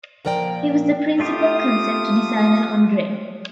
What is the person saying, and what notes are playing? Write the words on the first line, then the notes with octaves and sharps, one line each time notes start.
He was the principal Concept Designer on Dredd.
A#2 F3 A#4 D5 G5
A3 F4 G4 F5 D#6